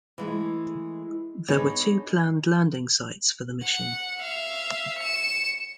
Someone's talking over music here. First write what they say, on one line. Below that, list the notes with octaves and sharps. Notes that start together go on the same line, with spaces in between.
There were two planned landing sites for the mission.
E3 G#3 A3
B3 D4 D#4 G#4 B4 C#5
F#5
E5 F5
C#7 E7